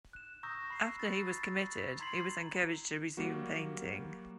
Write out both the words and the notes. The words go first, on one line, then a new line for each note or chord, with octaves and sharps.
After he was committed, he was encouraged to resume painting.
F#6 E7
A#5 C#6 D#6 E6 G6 A#6
B5 C7
A6
A6
A#5 C6 G#6 B6 C7 F#7
F#3 G3 A#3 F#4